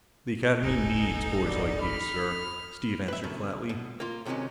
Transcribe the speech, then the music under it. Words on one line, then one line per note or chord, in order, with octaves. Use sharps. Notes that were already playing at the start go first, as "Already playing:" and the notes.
"The academy needs boys like this, sir," Steve answered flatly.
D1 G1 D#4 A4 G#5
B2 D5
B5 F6
B4 E5
F#2 B2 D3
B2
A#3 F4
F#2 C3 D#3 F#3 G#3 C#4